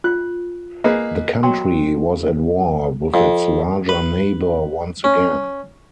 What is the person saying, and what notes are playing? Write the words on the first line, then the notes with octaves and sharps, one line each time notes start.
The country was at war with its larger neighbor once again.
F4 F#6
A#3 G#4 B4 D#5
F#3 G5 C6
F2
B4
C#4